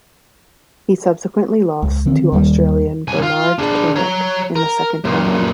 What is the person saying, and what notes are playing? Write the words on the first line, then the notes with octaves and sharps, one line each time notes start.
He subsequently lost to Australian Bernard Tomic in the second round.
C#2
D3 D#3 F3 C4
D#2 D#3 F3 G3
C2 G#5
F4
D4 G#4
C#5 A#5
A#4
F#2 A#2